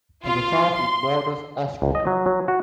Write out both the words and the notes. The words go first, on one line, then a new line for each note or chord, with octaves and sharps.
To the south it borders Austria.
F4
C6
C#2
D#5
F#3
F#3
F#4